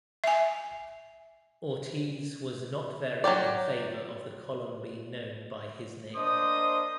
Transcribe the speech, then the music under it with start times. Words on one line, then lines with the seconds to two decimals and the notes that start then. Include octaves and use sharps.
Ortiz was not very in favor of the column being known by his name.
0.24 E5 G#5
3.24 F#3 A#3 G4 D5
6.15 A#3 D4 C5 D#5 D#6